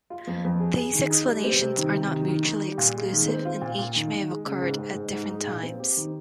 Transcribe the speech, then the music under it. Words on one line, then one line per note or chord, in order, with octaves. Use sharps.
These explanations are not mutually exclusive and each may have occurred at different times.
F4
F2
F2
G#4
G#4
D#3
D#4
G3
C4
C3
D#3
C3
D#3
D#3
D#3
G3
A#2
G#3
D#3
C4
F4
A#2
A#2
D#3
D#3
G#3
C#3
G#2
G#2
G#2
G#2
D#4
A#2
C4
G4
D#3